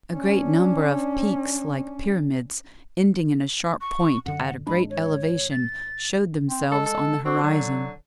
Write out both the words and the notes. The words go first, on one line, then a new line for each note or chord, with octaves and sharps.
A great number of peaks, like pyramids, ending in a sharp point at a great elevation, showed themselves on the horizon.
C#4 D4
C#6
F#2 D3 F#5
G#1 G#3 D4 B5
C#5
A6
C4
G#3 A4
A4
C4 F#4
D3 F#3